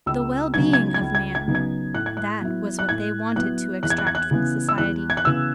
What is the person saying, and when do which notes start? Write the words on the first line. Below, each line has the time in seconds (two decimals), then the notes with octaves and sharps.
The well-being of man, that was what they wanted to extract from society.
0.06 C#2 E6
0.54 C#3 F#3 B3 D#4 G#6
0.73 G#6
0.94 G#6
1.01 C#2
1.15 G#6
1.35 G#6
1.48 C#3 F#3 B3 D#4
1.55 G#6
1.94 A2 F#6
2.06 G#6
2.17 F#6
2.42 F#3 B3 E4
2.79 F#6
2.89 A2 G#6
3.36 F#3 B3 E4 F#6
3.83 E2 F#6
3.90 G#6
3.98 F#6
4.07 G#6
4.15 F#6
4.31 C#3 E3 B3
4.69 E6
4.78 E2 F#6
5.10 G#6
5.17 F#6
5.25 C#3 E3 B3 E6